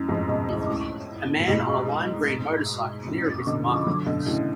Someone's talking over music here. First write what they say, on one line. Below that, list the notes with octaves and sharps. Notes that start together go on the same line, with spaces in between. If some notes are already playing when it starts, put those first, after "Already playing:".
A man on a lime green motorcycle, near a busy marketplace.
Already playing: F#2 A2
F2 G#2
G#2 B2
F#2 A2
A2 C#3
A2
G#2 B2
F#2 A2
B2 D3
C#3 F3
D3 F#3
B2 D3
A2 C#3